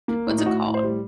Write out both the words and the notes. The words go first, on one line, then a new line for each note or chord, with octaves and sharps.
what's it called?
A#3
A2
D#4
A2 F#4
A2
C5
G3